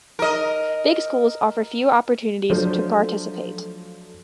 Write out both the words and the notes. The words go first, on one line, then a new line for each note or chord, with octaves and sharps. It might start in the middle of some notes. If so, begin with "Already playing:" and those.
Big schools offer few opportunities to participate.
A#4 D#5
F3 F#3 A3 D4 C5